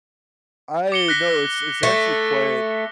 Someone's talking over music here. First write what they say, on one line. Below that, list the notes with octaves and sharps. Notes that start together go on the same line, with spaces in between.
I no, it's it's actually quite
D6 C#7 G7
F#6 A#6 B6
A3